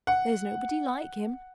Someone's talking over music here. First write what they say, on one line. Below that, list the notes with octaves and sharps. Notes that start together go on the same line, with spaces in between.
There's nobody like him.
F#5